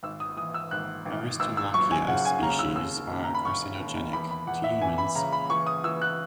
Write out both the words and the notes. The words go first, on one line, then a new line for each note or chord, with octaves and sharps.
"Aristolochia" species are carcinogenic to humans.
G#1 E6
D#6
E3 D#6
E6
G#1 F#6
G#1
G#1 E6
E6
F#2 C#6
G#5
C#3 F#5
G#5
C#3 A#5
E6
D#2 E6
D#2
A#5
B5
E1 C#6
D#2
E2 B5
B5
E2 F#5
E5
E3 G#5
B5
C#3 A#5
B5
E3 C#6
D#6
E3 E6
F#6